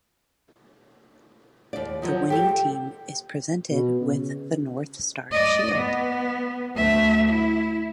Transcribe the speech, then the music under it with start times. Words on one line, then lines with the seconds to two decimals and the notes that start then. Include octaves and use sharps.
The winning team is presented with the North Star Shield.
1.73 D#2 D5
2.02 D#3 F3 F#3
2.30 G4 A4 G5
3.70 B2
4.01 C#3
5.31 D5 D#5
5.75 B3
6.75 D2 E5
7.29 E4